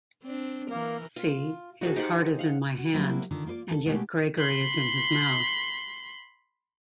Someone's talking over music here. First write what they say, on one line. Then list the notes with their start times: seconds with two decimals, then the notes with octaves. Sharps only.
See, his heart is in my hand, and yet Gregory is in his mouth.
0.23 C4 D4
0.70 E3 A#3 A#4
1.16 F4
1.81 D#2 F#3 F#4 G#4 A4
1.96 D#4 G4 C5 F#5 G#5
2.39 F5 F#5
2.78 F#4
2.93 F#3 G3 A#3 C4 E4 F#4
3.31 D3 D#3 F4
3.46 A#3 F4 B4 D5
3.71 A4
3.86 B2 G#3 A3 G4
4.38 B5 C6